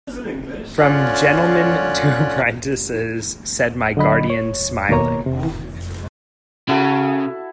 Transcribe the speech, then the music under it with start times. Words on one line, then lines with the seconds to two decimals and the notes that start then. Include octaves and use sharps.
"From gentlemen to apprentices," said my guardian, smiling.
0.79 D3 C#4 F4 C#5 D5 F#6
3.97 D3 F#3 D#5 B5
4.30 C#5
4.89 D#2 B2 A#3 C#5 A#5
5.26 C3
6.69 C#3 E4 F#4 A4